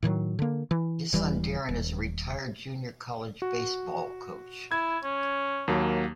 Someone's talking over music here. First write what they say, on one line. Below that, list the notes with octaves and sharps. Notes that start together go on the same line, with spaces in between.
His son Darren is a retired junior college baseball coach.
A2 D#3 F3 F#3
D3 A#3
E3
D#1 E3 G3
D#1
F#4
E4 G#6
C#4
D#2 F#3 A#3